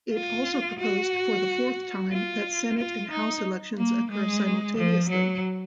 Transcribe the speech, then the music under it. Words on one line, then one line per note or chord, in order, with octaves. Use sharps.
It also proposed for the fourth time that Senate and House elections occur simultaneously.
F4
F#4
F4
F4
D#4
A#3
G#3
F3
F#3